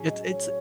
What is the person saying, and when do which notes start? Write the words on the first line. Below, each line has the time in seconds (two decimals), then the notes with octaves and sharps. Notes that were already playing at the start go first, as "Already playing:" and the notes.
it's it's
Already playing: A2 F#3 C#4 G#4
0.09 D#5
0.30 C#5